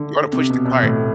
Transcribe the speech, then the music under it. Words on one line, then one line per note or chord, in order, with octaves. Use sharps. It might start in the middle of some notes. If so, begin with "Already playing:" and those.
You oughta push the cart.
Already playing: D3
C3
B2
B2
A2